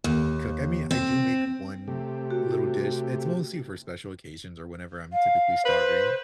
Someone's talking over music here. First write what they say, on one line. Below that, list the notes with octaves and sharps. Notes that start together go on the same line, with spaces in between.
cook. I mean, I do make one little dish, but it's mostly for special occasions or whenever I'm typically starving,
D#2
C4
C3 A3 G4
F#4
F5
B4 C5